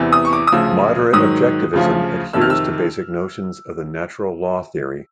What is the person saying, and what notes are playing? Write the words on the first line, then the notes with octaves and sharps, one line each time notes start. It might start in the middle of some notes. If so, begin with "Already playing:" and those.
Moderate objectivism adheres to basic notions of the Natural Law Theory.
Already playing: E2 C3 E3
D#6
C#6
D6
D#6
D2 C#3 F3 E6
G#2 D#3 F#3 D#6
D2 C#3 F3
F2 C3 D#3 E6
F6
E6